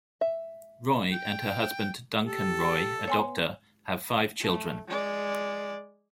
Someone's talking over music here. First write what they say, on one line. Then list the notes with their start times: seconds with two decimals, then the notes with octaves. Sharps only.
Roy and her husband Duncan Roy, a doctor, have five children.
0.21 E5
1.12 G5
2.25 G4 A4
3.08 B3 C#5 G#5 C6
4.41 A3
4.88 G#3 D5